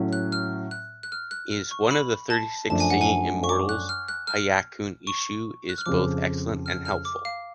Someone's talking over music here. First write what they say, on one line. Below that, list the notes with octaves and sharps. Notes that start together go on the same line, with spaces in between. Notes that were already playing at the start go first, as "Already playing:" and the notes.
Is one of the thirty-six singing immortals. Hyakunin Isshu is both excellent and helpful.
Already playing: A2 F#3 C#4
F#6
F6
F#6
F#6
F6
F#6
F6
C#6
B5
A5
F#2 F3 A3 D4 A5
G#5
F#5
G#5
C#6
D6
F#6
F6
F#6
F6
C#6
F#6
F6
F2 C#3 F3 D6
F6
F6
D6
F5